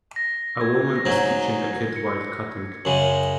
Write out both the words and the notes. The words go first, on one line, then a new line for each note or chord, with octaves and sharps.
A woman is teaching a kid while cutting.
A#6
G#6
A#6
G#2 F#3 D#4 G#6
C#7
F#2 C#3 G#3 F#7